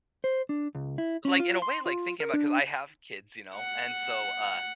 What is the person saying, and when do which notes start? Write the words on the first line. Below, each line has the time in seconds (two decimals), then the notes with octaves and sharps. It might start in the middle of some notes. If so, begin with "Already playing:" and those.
l like, in a way like thinking about 'cause I have kids, you know, and so uh,
0.24 C5
0.49 D4
0.75 C#2
0.98 E4
1.25 C#4
1.40 F4
1.62 C6
1.86 F4
2.20 A#4
2.34 D4
3.56 F#5